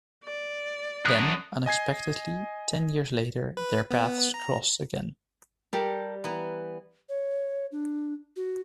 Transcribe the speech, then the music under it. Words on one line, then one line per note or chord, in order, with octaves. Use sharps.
Then, unexpectedly, ten years later, their paths cross again.
D5
F#2 D4 F#4 D#6 F#6
D#5 G#5 G#6 C7
B4
B3
A#5
G3 G4 A4 A#4
E3 B3 A#5
C#5
D4
F#4